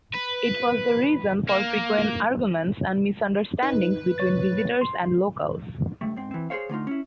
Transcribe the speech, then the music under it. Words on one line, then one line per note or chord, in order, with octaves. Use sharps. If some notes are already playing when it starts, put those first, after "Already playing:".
It was the reason for frequent arguments and misunderstandings between visitors and locals.
B4
A#3
D#4 B4
C#5 A6
C6
C#2 G2 A3
G#2 C4
E3 C4
G#4 A4 C5 C#5 F5
D3 A3 D#4 F4
C#4 E4